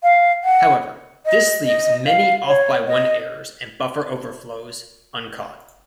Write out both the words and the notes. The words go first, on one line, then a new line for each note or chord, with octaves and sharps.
However, this leaves many off-by-one errors and buffer overflows uncaught.
F5
F#5
D#5
D#5
F5
C#5
D#5